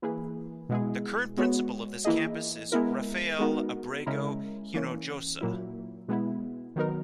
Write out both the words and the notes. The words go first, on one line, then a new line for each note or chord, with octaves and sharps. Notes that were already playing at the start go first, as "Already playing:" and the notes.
The current principal of this campus is Rafael Abrego Hinojosa.
E3 A#3 E4 G#4 B4
B2 G#3 B3 E4 G#4
G#3 B3 F#4 C#5
E3 A#3 E4 G#4 D#5
G#3 B3 E4 A#4
G#3 B3 D#4 F#4 A#4
C#3 G#3 C#4 E4 A#4
E3 A#3 C#4
A#2 F#3 A#3 E4
B2 G#3 B3 E4
D#3 F#3 B3 D#4 A#4